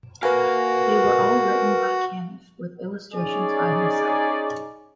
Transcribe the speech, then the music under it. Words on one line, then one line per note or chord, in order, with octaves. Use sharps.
They were all written by Caniff, with illustrations by himself.
F#4 A#4 B4 F5 G#5
C#4 D#4 G#4 D5